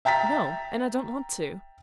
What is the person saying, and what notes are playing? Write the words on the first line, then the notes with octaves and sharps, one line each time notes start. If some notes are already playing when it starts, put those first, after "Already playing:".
"No, and I don't want to."
E5 G5 A#5 A6 B6